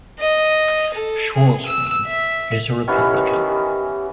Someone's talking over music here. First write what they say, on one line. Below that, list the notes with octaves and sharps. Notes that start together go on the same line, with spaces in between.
Schwarzman is a Republican.
D#5
A4
G#4
E6
E5
D#3 E3 B3 C#4 G4